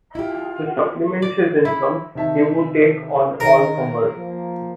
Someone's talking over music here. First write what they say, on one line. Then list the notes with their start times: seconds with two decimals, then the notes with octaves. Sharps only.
To supplement his income, he would take on all comers.
0.15 E4 F4 G4
1.22 D5
1.65 E4
2.15 C3 D#3 E5 A5
3.40 D#3 A#4
4.17 F3 A#3